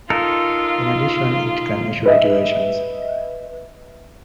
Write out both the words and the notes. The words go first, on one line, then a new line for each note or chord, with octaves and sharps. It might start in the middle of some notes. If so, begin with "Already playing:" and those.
In addition, it can issue regulations.
D#4 F4 A4 A#4
B4 D#5 E5